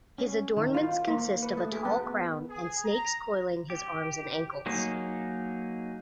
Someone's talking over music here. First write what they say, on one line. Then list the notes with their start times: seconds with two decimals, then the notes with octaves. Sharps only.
His adornments consist of a tall crown and snakes coiling his arms and ankles.
0.18 C#4
0.57 D#3
0.75 F4
1.08 A#3
1.43 B4
1.57 A3
1.72 G#4
1.85 B3
2.50 G#4
2.85 A#5
3.70 G4
4.66 F#3 A#3 D#4 G#4